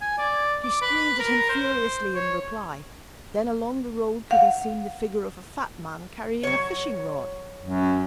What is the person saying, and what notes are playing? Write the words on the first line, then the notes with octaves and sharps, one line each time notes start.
She screamed at him furiously in reply. Then along the road could be seen the figure of a fat man carrying a fishing rod.
G#5
D5
D6
B4
A#4
C5
C#5
F5 F#5
F#3 C#5
F#2